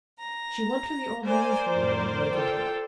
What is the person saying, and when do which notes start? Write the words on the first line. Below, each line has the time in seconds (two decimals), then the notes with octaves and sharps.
She went to the old man's room and wakened him.
0.19 A#5
1.23 A#3 A#4 C5 D5 G#5
1.74 F2 A2 D#3
2.32 F4 A4 G5